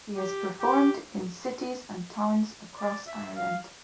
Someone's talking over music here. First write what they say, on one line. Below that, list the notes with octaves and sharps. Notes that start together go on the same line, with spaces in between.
He has performed in cities and towns across Ireland.
G4
G4
D5
E5
F5